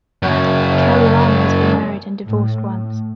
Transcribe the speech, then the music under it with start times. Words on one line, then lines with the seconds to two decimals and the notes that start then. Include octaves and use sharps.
Caruana has been married and divorced once.
0.23 F#2 C#3
2.25 A2